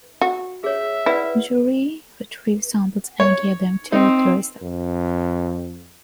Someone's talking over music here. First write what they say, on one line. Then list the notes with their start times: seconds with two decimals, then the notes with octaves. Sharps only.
Mujari retrieved samples and gave them to Teresa.
0.21 F#4
0.64 G#4 C#5 E5
1.06 E4 B4 D5 F#5
3.20 C#5
3.92 C4 D#4
4.61 F2